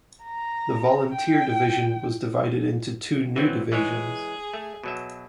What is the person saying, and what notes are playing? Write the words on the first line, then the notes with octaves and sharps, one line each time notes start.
The Volunteer Division was divided into two new divisions.
A#5
G5
E3 F#3 C4
E3 G#3 G#4 C#5
A3
B2 F#3 E5